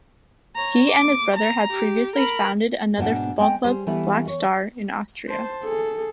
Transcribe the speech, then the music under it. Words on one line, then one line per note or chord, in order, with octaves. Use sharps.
He and his brother had previously founded another football club, Black Star, in Austria.
C#5 A#5
D6
A#5
G4
A#4 B5
G#2 B2 F#3 D4 F#5
G#3 B3 C4 D#5 G5
G3 G#4 C5
E3 G3 A3 B3 E4
C#5
C5 A5
G#4 A4